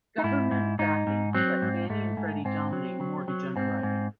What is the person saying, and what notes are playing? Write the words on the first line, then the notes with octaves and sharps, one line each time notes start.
Government backing let Fannie and Freddie dominate mortgage underwriting.
D#4
G#2 E4
G#2
G#2 D#4
G#2
F#3 C4
G#2
G#2 A3
G#2
G#2 C4
F#3
F#3
F#3
G#2 C4
G#2